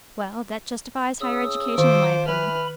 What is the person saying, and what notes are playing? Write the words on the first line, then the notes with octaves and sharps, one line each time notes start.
Well, that justifies higher education in my opinion.
C#3 D#6 E6
D#3 F3 C5 D6
E3 B4 B5 F6